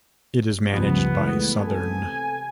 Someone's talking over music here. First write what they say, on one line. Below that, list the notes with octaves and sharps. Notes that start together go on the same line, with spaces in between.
It is managed by Southern.
C#2 F#2 F3 G3 B3
E3 G#3 A3
C3 A4 G#5